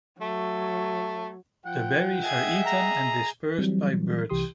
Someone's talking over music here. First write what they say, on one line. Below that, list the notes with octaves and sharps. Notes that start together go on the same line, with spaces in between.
The berries are eaten and dispersed by birds.
F#3 A3
F3 F#5 G5
G#4 D#5 E5 G#6
G#4 A#5
E3 F#3 G3 C4
C2 E3 G4 C6 D#6